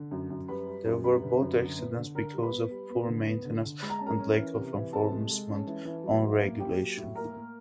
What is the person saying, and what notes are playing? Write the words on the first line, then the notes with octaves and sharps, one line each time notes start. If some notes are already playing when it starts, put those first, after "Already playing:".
There were boat accidents because of poor maintenance and lack of enforcement on regulation.
Already playing: D3
F#2
F#2
G3 B4 B5
G3
F#2
G3 B4 B5
D3
F#2
D3
B3
D3
D3 A#4 A#5
G3
B4 B5
B3
G3
B3
D3
B3
D3
D3
G#3 B5
A#5
C#4 A5
A#4 A#5
C#4
E3
C3
E3
C3 A4 A5
G#3
G#3
C#4
E3
E3
F#3
A2
A#3
A#3 G4 G5
F#3
A2
A#3 A#4 A#5
A#3